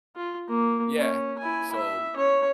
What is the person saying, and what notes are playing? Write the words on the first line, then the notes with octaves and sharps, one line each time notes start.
Yeah. So,
F4
A#3
C#4
E4 G#5
E5
C#4 C#5